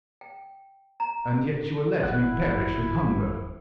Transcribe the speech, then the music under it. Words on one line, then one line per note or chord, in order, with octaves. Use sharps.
"And yet you will let me perish with hunger?"
G5
A#5
G#1 E4 F#5 F#6